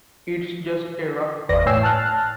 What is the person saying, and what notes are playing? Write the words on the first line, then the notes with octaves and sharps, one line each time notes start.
It's just a rough cut.
G1 E2 B4 D5 A#6
A2 C#5 G5 G#5 E6 C7
A5 F6 F#6 A6